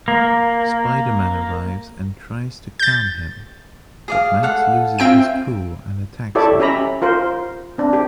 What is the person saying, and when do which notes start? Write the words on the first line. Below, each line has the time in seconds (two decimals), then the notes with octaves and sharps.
Spider Man arrives and tries to calm him, but Max loses his cool and attacks him.
0.08 A#3
2.80 G6 A6
4.08 G#4 D5 F5
4.43 A4 F5 F#5
4.98 C4 F4 E5 G5 G#5 D7
6.35 E4 G4 A4 C#5 D5 E5
6.59 C#4 G4 E5 A#5 B5
7.02 F4 A#4 C5
7.78 C4 D4
7.93 G4